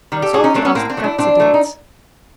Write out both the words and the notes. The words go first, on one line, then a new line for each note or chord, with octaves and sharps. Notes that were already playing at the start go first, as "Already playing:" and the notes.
So he asked Kat to do it.
D#3 G3
G4 A4
A2 F#4 G#4
C#4 D#4
F#3 A3 C4 D4
B3 C#4
A2 A#3 C4
C4 D4
F#3 A3
D4 E4
A2 C4 D4
F#3 A3
D#4